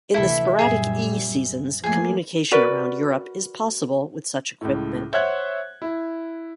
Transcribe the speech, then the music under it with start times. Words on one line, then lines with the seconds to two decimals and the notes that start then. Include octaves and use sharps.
In the Sporadic E seasons communication around Europe is possible with such equipment.
0.14 D2 C3 E3 E4 A4 E5
0.59 F#2 A#2 G3 G#4 E5
1.84 F3 A3 A#3 G#4 G#5
2.51 F#4 A#4 B4 D5
4.61 C#2 A2
5.13 C5 C#5 E5 F#5 F#6 G#6
5.82 E4